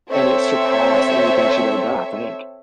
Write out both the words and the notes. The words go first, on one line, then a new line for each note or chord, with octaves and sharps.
and it surpassed anything she'd ever done, I think.
C4 A4 C5 C#5 E5